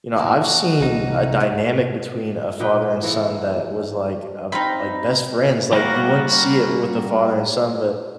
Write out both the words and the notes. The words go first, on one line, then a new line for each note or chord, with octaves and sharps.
you know, I've seen a dynamic between a father and son that was, like, uh, b like best friends, like you wouldn't see it with a father and son, but,
A#3 E4 F#4 D5
C2 D#4
A2 F#3 G3
A#2 D#4 B4 G5
E3 G#3 A#3 A4
C4 D#4 F4 B5
G3 A#3 F#4 A#4